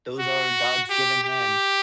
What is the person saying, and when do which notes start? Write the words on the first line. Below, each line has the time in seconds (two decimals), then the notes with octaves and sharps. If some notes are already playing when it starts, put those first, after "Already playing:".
Those are God's given hands.
0.19 F#4
0.90 G4
1.24 G4